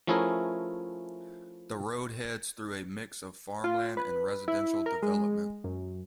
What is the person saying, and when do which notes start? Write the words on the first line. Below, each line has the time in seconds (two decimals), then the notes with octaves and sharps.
The road heads through a mix of farmland and residential development.
0.07 F3 A3 C#4 E4 G#4 A#4
3.64 F4
3.97 B4
4.48 E4
4.86 A#4
5.02 G#3
5.64 F#2